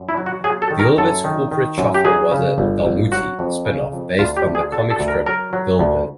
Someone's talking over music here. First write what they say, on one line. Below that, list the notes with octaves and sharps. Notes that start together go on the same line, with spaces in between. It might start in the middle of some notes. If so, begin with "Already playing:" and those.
Dilbert's Corporate Shuffle was a "Dalmuti" spinoff based on the comic strip "Dilbert".
Already playing: F#2
E4
F#3
F#4
F#3 G#4
A4
D#3
A#4
F#2 A4
D#3
D#3
F#2
G4
F#3 G#4
C#3
G1
G1
F#3 F#4
F2
C#3
F2
D2 F4
G4
D2
G#4
D3 A4
A4
D2
A#4
F#3 A#4
F#3
D2